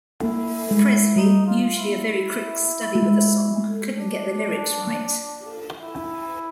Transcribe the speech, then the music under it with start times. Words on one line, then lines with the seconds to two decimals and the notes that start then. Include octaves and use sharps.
Presley, usually a very quick study with a song, couldn't get the lyrics right.
0.23 A#3 E4
0.70 G#3 E4
1.16 G3 D#4
1.47 F4
1.79 E4
2.95 A3
3.02 G#3
3.95 D4
4.87 A#3
5.80 E4